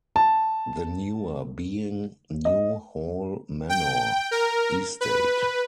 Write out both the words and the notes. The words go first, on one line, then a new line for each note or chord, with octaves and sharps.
The newer being New Hall Manor Estate.
A5
D#5
G5
A#4
B4